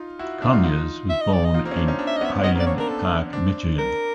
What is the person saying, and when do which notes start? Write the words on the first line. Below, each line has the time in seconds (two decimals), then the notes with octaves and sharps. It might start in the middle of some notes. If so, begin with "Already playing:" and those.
Conyers was born in Highland Park, Michigan.
Already playing: D#4 F4
0.19 E4 F#4
0.42 D4 E4
0.53 D#4 F4
0.64 D#4 F4
1.10 E5
1.21 D#5
1.33 D5
1.45 D#5
1.54 D#4 F4
1.65 A#3 C4
1.71 C#4
1.76 C4 D4
1.87 C#4 D#4
1.99 C4 D4
2.07 E5
2.17 D#5
2.21 B3 C#4 E5
2.35 C4
2.43 B3 C#4 D#5
2.55 A#3 C4
2.60 D5
2.66 C4 D4 C#5
2.78 C4 D4 A#4
2.89 A4
3.33 C4 D4
3.78 A#4